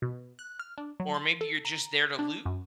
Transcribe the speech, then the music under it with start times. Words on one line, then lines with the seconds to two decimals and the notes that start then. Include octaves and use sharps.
or maybe you're just there to loot,
0.02 B2
0.39 F#6
0.59 F6
0.78 D4
1.00 F#3
1.14 C6
1.41 A4
1.65 A#5
2.19 D4
2.46 F#2